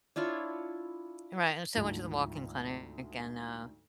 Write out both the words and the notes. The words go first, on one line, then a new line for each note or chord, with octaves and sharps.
And, right, and so I went to the walk-in clinic and, uh
D4 E4 F4 C#5
D2 G#2 F3 A3